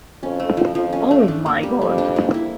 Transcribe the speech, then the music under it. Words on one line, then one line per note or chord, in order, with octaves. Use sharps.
Oh, my God!
F2 C#4
A3
F3
F2 F3
C#4
A3
D4
A#3
G3
F2 G3
D4
A#3
E4